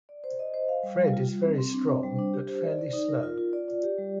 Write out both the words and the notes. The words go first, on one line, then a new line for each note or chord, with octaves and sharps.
Fred is very strong, but fairly slow.
D5
C5
D#5
C5
F5
G3
G3
F4
G3
C4
C4
D4
C5
G3
D4
G4
C5
D5
D5
D#4
A#4
F4
F4
D5
D5
G4
G3